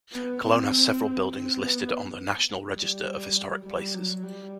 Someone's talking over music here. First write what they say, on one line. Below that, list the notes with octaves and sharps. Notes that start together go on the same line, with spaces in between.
Cologne has several buildings listed on the National Register of Historic Places.
B3
C4
C4
B3
G3
G3
F#3
G3